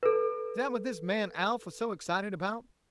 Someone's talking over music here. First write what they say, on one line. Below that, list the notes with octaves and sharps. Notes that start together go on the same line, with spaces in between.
"Is that what this man Alf was so excited about!"
A4 B4